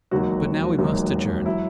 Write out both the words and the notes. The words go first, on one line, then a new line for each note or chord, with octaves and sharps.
But now we must adjourn.
E1 D#2 D#3 F#3 F#4
E1 D#2 D#3 F#3
F#3 E4